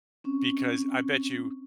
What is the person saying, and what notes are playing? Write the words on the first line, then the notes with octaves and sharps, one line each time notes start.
Because, I bet you,
C4 C#4